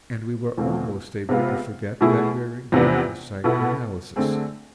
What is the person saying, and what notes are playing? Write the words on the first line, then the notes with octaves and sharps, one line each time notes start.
And we were almost able to forget that we are engaged in psychoanalysis.
E2 B2 A3 C4 F4
C3 G#3 B3 F4 G#4
B2 A3 E4 G#4
E2 C3 F3 B3 D4
B2 B3 E4 A4
D3 A3 C4 G#4